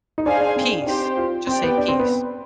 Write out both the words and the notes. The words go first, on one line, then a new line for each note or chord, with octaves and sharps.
Peace, just say, peace.
D#4
D4 G#4 C5 F5 G#5
D4
C4
D4
D4
C4 D#4 G4 C5
F4
C4 G4 D5 G5
B3
D4
C4
B3